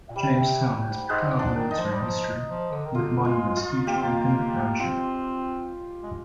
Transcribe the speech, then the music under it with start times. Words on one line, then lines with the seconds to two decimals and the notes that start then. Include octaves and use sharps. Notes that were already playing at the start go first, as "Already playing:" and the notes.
Jamestown has proud military history, with monuments featured within the township.
0.10 A#2
0.16 C3 G3
0.40 C3
0.86 G#2
1.09 G#2 G#3
1.32 G#2
1.39 D4
1.55 D#3
1.71 D#4
1.78 F3
1.92 G3
2.01 F3
2.48 F3
2.71 D3
2.86 D#3
2.95 D3 F4
3.25 G#3 F4
3.56 F4
3.87 A#3 G4
3.95 C4
4.03 A#3
4.80 C4 F4
6.03 G#3